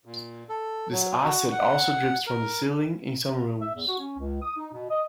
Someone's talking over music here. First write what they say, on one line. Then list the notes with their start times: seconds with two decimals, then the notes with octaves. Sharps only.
This acid also drips from the ceiling in some rooms.
0.05 A#2
0.49 A4
0.92 F#3
1.24 F#4
1.52 F#5
2.27 A#4
3.61 E5
3.75 E2
3.87 F#4
3.99 C#4
4.19 C#2
4.42 D#6
4.56 D#4
4.73 B2
4.90 D#5